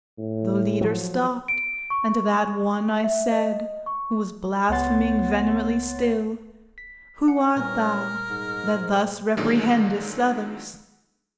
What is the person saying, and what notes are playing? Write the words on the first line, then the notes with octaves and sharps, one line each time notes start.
The Leader stopped; and to that one I said Who was blaspheming vehemently still: "Who art thou, that thus reprehendest others?"
A2
F3 F#3
D7
C#6
E5
D#5
C#6
C#2 B3 C#5 F#5 C6 A6
B6
F#5 C#7
A#2 E3 G3 C4 C#4 A#4
G#2
A#2 D3 D#3 F#3 G#3